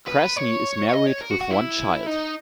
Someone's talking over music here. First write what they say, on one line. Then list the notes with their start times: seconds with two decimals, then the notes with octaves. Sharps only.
Krasny is married with one child.
0.08 B4
0.37 C#5
0.89 C#5
0.93 D#5
1.07 C#5
1.21 A#4
1.31 F#4
1.41 F#4
1.50 E4
2.07 D#4